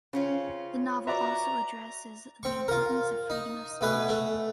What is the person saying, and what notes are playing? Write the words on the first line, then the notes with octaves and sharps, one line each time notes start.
The novel also addresses the importance of freedom of speech.
C#3 C4 C#4 F4
F#4 B4 D5 E5 A#5
C4 C#6
F4 A#4
D#4
B2 A3 B4 G#5
A3